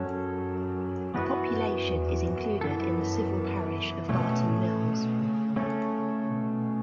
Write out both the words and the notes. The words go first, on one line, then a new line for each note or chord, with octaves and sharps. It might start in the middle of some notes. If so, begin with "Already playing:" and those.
The population is included in the civil parish of Barton Mills.
Already playing: F#2 F#3 C#4 A4
F#2 E3 B3 F#4 B4
F#2
E2
F#2
E3 B3 A4
B2 A3 C#4 A4
A2
B2
C#3
C#3 A3 C#4 A4
B2